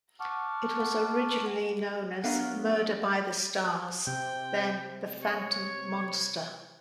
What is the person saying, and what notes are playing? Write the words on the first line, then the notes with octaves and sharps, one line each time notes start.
It was originally known as "Murder by the Stars" then "The Phantom Monster".
F#5 A5 C#6 D6 F6
F#3 B3 D4 A#4 F5
C3 G5
C#5